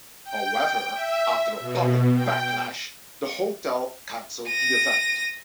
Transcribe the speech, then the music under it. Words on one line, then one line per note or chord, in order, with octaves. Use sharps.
However, after a public backlash, the hotel cancelled the event.
G5
E5
B2
G5
A#6 D#7